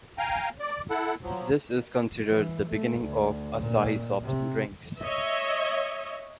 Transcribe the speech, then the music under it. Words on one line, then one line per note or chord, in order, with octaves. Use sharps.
This is considered the beginning of Asahi Soft Drinks.
F5 G5 G#5 A#5
D5
E4 A4 F#5
F3 F#3
E3
A3
D2
A#2
C3
C#5 D#5 E5